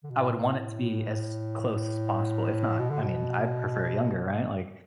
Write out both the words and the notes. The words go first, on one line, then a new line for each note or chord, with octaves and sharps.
I would want it to be as close as possible, if not, I mean, I'd prefer it younger, right, like
D3
B2
A2
B2
D3
B2